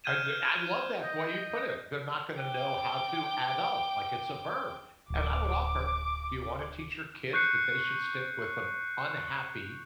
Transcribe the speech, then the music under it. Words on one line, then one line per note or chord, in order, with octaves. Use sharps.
I do I love that way you put it. They're not gonna know how to adult, like, it's a verb, and I would offer, do you want to teach your kids that they should stick with an unhappy,
F6 G6 G#6 D#7 E7
D#5 G6
G5 D6
D1 D6
C#6 F#6 G6 C7 C#7